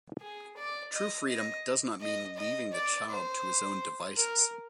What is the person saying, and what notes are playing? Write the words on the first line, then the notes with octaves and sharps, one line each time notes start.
True freedom does not mean leaving the child to his own devices.
G#4
D5
D#5
D#5
D#5
D#5
D5
C5
A#4